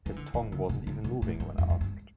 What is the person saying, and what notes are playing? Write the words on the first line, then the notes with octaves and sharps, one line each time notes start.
His tongue wasn’t even moving when asked.
E3
D3
E3
D3
C3
D3
B2
A2
G2
F2
F2
G2